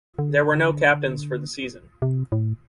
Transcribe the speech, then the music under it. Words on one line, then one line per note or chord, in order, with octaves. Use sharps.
There were no captains for the season.
D3
C3
A2